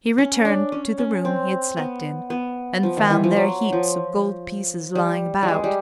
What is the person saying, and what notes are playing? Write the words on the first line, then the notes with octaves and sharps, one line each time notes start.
He returned to the room he had slept in, and found there heaps of gold pieces lying about.
C#4
D4
C#4
C#4
C4
B3
B3
F3
D#3
E3
F3
F#3
F3
G3
G3
G#3
G3